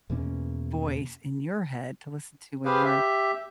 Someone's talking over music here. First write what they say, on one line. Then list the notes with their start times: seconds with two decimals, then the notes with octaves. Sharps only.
voice in your head to listen to when you're
0.10 E2 B2 A#3 C#4
2.65 G4 G#4 B4 C5 F5
2.84 G4 E5